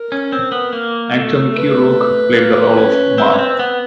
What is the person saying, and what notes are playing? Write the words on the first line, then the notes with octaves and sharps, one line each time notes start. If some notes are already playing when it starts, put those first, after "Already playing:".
Actor Mickey Rourke played the role of Marv.
Already playing: A#4
C#4
C4
B3
A#3
A3
B4
A#3
C#4
C4
C#4
C4
B3